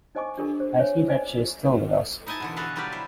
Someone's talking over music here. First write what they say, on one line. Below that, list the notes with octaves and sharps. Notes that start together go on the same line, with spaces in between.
I see that she is still with us.
D#4 C5 D#5 G#5 C#6 D6
D4 F4 G4 A4 A#4
C5
C5 C#5 E5 G#5
B4 C5 D5 D#5 G#5
D#4 E4 D#5 G#5 A5
B2 D3 E3
F#4 G#4 A4 B4 F5 F#5
F#3 G3 F4 G4 B4 D5
E4 C5